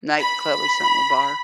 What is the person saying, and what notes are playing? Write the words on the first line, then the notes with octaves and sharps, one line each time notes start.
nightclub or something or bar.
B5